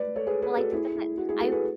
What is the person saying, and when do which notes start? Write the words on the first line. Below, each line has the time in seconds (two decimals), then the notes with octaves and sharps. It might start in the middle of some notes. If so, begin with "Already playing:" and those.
Well, I think that that I
Already playing: B4 D5
0.16 A4 C#5
0.27 G#4 B4
0.42 G#4 B4
0.57 F#4 A4
0.72 E4 G#4
0.95 E4
1.18 F#4
1.29 E4 G#4
1.40 F#4 A4
1.52 G#4 B4